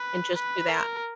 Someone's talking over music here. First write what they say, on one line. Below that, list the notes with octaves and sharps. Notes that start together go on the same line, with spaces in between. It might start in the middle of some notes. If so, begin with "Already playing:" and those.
And just do that.
Already playing: B4
B4
A#4